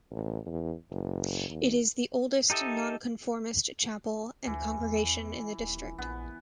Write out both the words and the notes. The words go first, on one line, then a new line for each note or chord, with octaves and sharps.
It is the oldest non-conformist chapel and congregation in the district.
A1
E2
F#1
D#2
D#4 G4 A4 D#5 E5
D2 E3
E2
D#1
A#1 B3